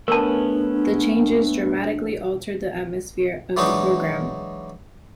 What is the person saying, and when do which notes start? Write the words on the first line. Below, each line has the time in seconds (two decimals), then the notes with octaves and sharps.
The changes dramatically altered the atmosphere of the program.
0.08 A3 B3 C#4 D4 A#4 A5
3.57 E3 F#3 G#3 D4 D#4